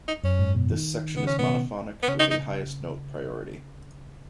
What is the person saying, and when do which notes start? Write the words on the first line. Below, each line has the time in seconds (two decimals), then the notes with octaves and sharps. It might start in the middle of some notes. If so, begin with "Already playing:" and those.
This section is monophonic, with a highest note priority.
0.08 D#4
0.24 F#2 C#4
0.39 G#2
0.55 B2
0.70 D#3
1.16 C#3 B3
1.27 C#4
1.38 B2 B3
2.03 B3
2.08 C#3 C#4
2.19 D#4
2.31 D#4